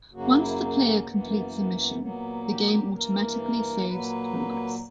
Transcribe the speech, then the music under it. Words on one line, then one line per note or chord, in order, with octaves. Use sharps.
Once the player completes a mission the game automatically saves progress.
F#2 C#3 F#3 A#3 F#4
E4
C#4
F#2 E3 A#3 B3
B3
B3
B3
A#2 F#3 A#3 B3
G4
G2 E3 A#3 A#4
A#4
A#2 F#3 A#3 B4